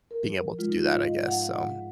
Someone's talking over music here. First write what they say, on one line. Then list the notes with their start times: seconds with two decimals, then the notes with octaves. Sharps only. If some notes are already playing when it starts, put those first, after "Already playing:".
being able to do that, I guess. So
0.11 A#4
0.23 F3
0.59 G#3 F4
0.69 D#4
0.79 F4
0.86 F5
0.94 G#2 D#5
1.25 F#5
1.30 G#2 F5
1.54 F#5
1.66 G#2